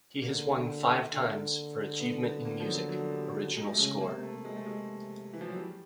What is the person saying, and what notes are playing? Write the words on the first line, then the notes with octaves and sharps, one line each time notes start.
He has won five times for Achievement in Music - Original Score.
D3 A#3
D3
B3
B3
A#3
F3
F#3
F#3
G3
G3
G#3
A3
C#3 G#3
A#3
C3
A3
C3
G#3
A3
G#3
E3
F3
F#3
G3